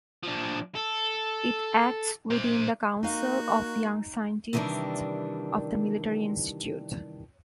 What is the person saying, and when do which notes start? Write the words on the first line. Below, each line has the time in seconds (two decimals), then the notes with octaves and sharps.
It acts within the Council of Young Scientists of the Military Institute.
0.23 F3 D4
0.75 A4
2.30 C5 A#5
3.03 A#3 D#4 F#4 F5
4.53 C3 D#3 E3 G3 D4 A#4